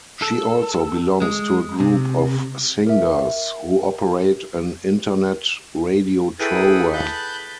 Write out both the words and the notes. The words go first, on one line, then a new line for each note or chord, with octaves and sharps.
She also belongs to a group of singers who operate an Internet radiotrova.
A4
G#3
C3
A#4 E5
E4 G#4 A4 B4 G5 D#6
A5 B5 F#6 G6